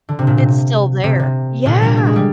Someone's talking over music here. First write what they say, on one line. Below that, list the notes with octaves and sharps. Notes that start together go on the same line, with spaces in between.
It's still there, yeah.
D3
C3
A#2
C3
C3
C3
A#2 D3
G3 A#3
A#3
G#3
G3